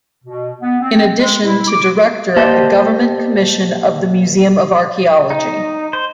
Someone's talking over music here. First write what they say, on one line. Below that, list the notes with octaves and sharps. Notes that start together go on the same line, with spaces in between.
In addition to director of the Government Commission of the Museum of Archeology.
B2
B3
C4
G#3
E4
D6
A#3 G4 C5 D5 D#5 A5
D#4
C5